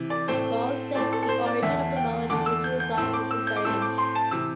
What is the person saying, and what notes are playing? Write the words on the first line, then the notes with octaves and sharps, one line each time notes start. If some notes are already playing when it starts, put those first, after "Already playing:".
Gaul says the origin of the melody used in the song is uncertain.
Already playing: C3 E3
D5
A2 A3 C4 C5
A2 A3 C4 D5
A4
A4
C5
D5
E2 D3 A3 E5
G5
E2 D3 A3 D6
E6
G6
G6
A2 A3 C4 E6
D6
E6
G6
D6
A2 A3 C4 E6
D6
C6
A5
C3 E3 E6